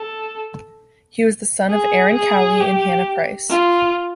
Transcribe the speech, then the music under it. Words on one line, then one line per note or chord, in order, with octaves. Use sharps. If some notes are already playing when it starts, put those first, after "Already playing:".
He was the son of Aaron Cowley and Hannah Price.
Already playing: A4
G#4
G#4
G4
F4